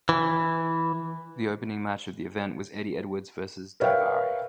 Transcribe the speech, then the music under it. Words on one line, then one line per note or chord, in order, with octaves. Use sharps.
The opening match of the event was Eddie Edwards versus Daivari.
E3
A#4 B4 C#5 E5 F5 G5